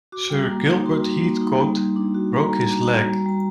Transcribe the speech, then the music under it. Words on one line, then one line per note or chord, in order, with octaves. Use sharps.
Sir Gilbert Heathcote broke his leg.
F#4 D6
G3
A#3
D#4
F#4 C6
G3
A#3
D#4
G3
G3
D4
F#4
G3 A#5
G3
D4
F#4
G3
G3